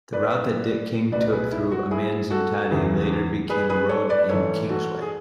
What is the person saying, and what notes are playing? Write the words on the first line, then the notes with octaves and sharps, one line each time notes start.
The route that Dick King took through Amanzimtoti later became a road named Kingsway.
B4 D5
C#2 B2 F#3 B4 D5
G#4 B4
E4
F#4
E4 G#4
F#4 A4
E2 C#3 E3
G#4 B4
G#4 B4
A4 C#5
B4 D5
G#2 E3 A4 C#5
F#4 A4
G#4